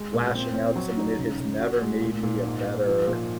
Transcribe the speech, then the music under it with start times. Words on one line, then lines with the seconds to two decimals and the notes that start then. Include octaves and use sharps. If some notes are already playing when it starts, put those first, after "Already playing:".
lashing out at someone, it has never made me a better,
Already playing: G#3
0.14 A#2
0.34 C4
0.55 C4
0.76 F#3
0.97 D#4
1.18 C#3
1.40 C#3
1.60 F#4
1.82 G#3
2.02 A#2
2.23 A#2
2.45 G#2
2.66 G#2
2.87 F3
3.07 A#2